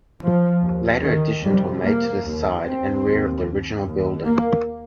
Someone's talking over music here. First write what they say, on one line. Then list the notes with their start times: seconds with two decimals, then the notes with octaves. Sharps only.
Later additions were made to the side and rear of the original building.
0.22 F3
0.62 D#2
1.02 D#3
1.42 F2 C3 G3
1.83 A#3
2.23 D#2
2.64 C4
3.04 D#2
3.84 D#2
4.25 A#3